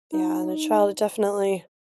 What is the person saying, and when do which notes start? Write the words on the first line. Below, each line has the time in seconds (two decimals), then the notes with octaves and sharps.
Yeah, and a child, definitely
0.12 D#4